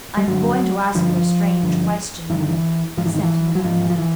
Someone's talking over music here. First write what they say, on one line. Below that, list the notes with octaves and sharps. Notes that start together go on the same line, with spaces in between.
"I'm going to ask you a strange question," said Madame Merle.
G3
G2 D3 F#3
G2 D3 F3
G2 D3
G2 D3 E3
D#3
E3
G#2 F3
E3
D#3
E3
F#3
G#2 F3
F3
E3